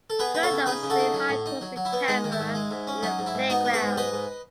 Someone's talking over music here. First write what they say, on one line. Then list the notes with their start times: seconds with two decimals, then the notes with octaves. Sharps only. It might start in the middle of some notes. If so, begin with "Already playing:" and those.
Two adults swing high towards a camera in a playground.
0.10 A4
0.19 B3 G#4 B4
0.34 B3 B4
0.43 A4 C#5
0.51 C#3
0.66 D#4 G#4 B4
0.83 C#3
0.90 F#4 A4
0.98 D#4
1.14 F#3
1.29 A2
1.46 D#4
1.61 F#3
1.76 F#3
1.85 E4
1.93 B3
2.08 G#3 D#4
2.24 D#3
2.32 E4
2.40 G#2
2.55 G#3
2.71 G#2
2.87 C#4
3.03 F#3 D#4
3.19 G#2
3.26 E4
3.34 G#2
3.50 B3 D#4 F#4
3.65 B3
3.73 G#4 B4
3.82 G#2
3.96 G#2 B4 D#5
4.13 G#2